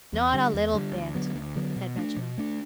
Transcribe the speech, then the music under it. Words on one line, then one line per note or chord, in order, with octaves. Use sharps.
'Not a little bit,' said Reginald.
E2
D3 G3
E2
D3 G3
D2
D3 F#3 B3
D2
D3 F#3 B3
B2
A3 D4
B2
A3 D4